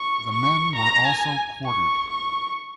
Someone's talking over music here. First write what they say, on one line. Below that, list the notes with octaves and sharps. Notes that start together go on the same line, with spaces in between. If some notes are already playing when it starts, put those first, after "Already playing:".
The men were also quartered.
Already playing: C#6
C#6
A#5
G#5
C#6
C#6